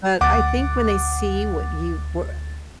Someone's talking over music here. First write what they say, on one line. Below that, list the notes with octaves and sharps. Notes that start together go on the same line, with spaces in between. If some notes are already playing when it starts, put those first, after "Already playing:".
But I think when they see what you we
D2 F#5 D6 A6